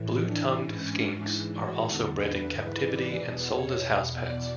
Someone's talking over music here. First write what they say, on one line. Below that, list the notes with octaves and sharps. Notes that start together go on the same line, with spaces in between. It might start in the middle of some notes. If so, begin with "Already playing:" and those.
Blue-tongued skinks are also bred in captivity and sold as house pets.
Already playing: A2 E3
D4
G#2 E3 C#4
D4
G#2 E3 E4
F#4
E2 D3 A4
B4
G#2 E3 B4
D5
E2 B2
C#5
E2 B2
D5